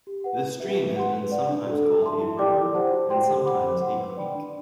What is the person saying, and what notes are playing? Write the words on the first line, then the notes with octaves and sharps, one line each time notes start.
The stream has been sometimes called a river and sometimes a creek.
G4
B4 F#5
E4
G4 B4 E5
B4
F#5 C6
B4
D5 F#5
D4
F#4 A4
A4
E5 A5 C6
E4
G4 D5 G5 D6
E4
G4 C5 F#5 A5
F#4
C5 G5 C6
G4
C5 F#5 B5 D6
C5
F#5 C6
B4
D5 G5 B5
D4